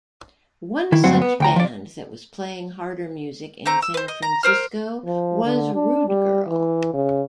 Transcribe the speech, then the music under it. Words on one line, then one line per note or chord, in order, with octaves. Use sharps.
One such band that was playing harder music in San Francisco was Rude Girl.
D#3 E4
D2 G2 F#3 C4 F#5
B3
D2 G5 A#5
F3 D5
A3 C4 A#5
E6
B4 C5
D#5
A#5
A#4 C5 F6
F3
D3
D4
G3
E3
C#3